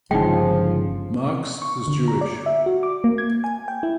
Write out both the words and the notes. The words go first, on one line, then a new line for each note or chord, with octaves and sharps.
Marks was Jewish.
G1 C#3 F3 G#3 D#4 G5
C#6
D3
A#5
D5
E5
F#4
D6
A#3
G#6
G#5
G5
E4